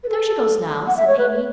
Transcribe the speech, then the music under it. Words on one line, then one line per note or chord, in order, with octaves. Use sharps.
"There she goes now," said Amy.
B4
A4
F#5
E5
C#5
B4